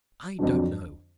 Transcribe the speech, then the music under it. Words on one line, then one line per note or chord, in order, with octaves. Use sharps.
I don't know.
F2 D3 F#3 D4